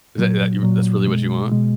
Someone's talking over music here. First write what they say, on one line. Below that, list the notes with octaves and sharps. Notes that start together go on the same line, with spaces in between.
Is that that that's really what you want?
A#2 F#3
A#2 F#3
B2 G#3
B2 G#3